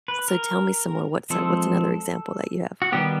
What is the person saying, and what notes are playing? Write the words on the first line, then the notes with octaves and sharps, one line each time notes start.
So tell me some more. What's a what's another example that you have?
B4
A#4
F3 G#3 C4 A4
F#4
D#3 G3 B3 G4